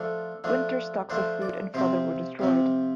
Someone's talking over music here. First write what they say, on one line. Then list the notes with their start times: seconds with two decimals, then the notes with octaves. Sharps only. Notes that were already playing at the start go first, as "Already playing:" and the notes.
Winter stocks of food and fodder were destroyed.
Already playing: F3 A3 D4 A4
0.44 F3 A3 D4
1.10 F3 A3 D4 C5
1.42 D5
1.74 C3 F3 C4 C5
2.39 C3 F3 C4